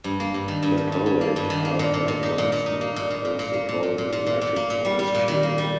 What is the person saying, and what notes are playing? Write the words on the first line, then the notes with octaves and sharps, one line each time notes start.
The poet Arthur Johnston composed a poem in Latin for his funeral.
G2
A#3
G2
D#3
G2
G2
G2
G2
A#3
G2
D#3
A#3
A#2
A#2
A#2
D#4
A#2
A#2
D#4
A#3
A#2
A#2
A#2
A#2
A#3
A#2
A#2
A#2
A#2
A#2
A#2
A#3
A#2
G3
G3
A#2
D#3
A#3
G3